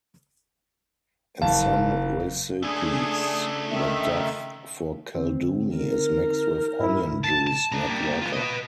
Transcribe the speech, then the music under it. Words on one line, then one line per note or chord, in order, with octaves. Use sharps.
In some recipes the dough for kalduny is mixed with onion juice, not water.
F#1 F5 A5
C#3 A3 D4 G#4
D#3 E5
D3 C4
D#4 A#4
G#2 E4
A5
A5
D4 A#5
G3 A#3
F4 B4
B4 D#5